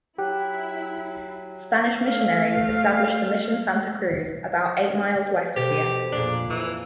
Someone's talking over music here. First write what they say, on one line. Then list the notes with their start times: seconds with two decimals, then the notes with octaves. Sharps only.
Spanish missionaries established the Mission Santa Cruz about eight miles west of here.
0.18 F#3 E4 G4 F#5 G5 F#6
2.05 A3 F5
5.26 B4
5.56 B2 G4 A4 C5
6.12 F2 A#2 D4 G#4
6.50 E3